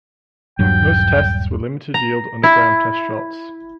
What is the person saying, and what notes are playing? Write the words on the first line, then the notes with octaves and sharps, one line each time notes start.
Most tests were limited-yield underground test shots.
D#1 G2 F#3 G5
A#5
E4